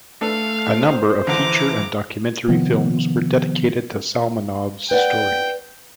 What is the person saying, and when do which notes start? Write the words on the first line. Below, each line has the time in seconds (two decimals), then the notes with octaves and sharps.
A number of feature and documentary films were dedicated to Salmanov's story.
0.21 A3 D4 A4 B4 F5
0.77 C5
1.27 A#1 D3 E3 A#5 D6
2.48 C3 D#3 F3 B3
4.91 B4 D5 F#5 G5